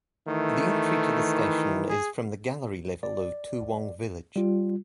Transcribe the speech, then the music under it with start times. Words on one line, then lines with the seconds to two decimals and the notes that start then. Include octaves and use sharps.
The entry to the station is from the Gallery level of Toowong Village.
0.28 D#3 E3 A3
1.89 G#4
3.03 D5
4.36 G3 F4